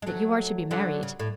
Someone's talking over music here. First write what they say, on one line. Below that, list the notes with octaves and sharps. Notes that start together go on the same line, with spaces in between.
'That you are to be married.
G#3
F#3 A3
D3 F#3
C#3
A2